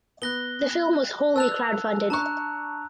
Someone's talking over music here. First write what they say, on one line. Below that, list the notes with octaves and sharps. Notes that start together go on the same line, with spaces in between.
The film was wholly crowdfunded.
B3 F#6 A#6 G7
B4 A5 E6 F#6 F7
D4 A5 A#5 C#6 F#6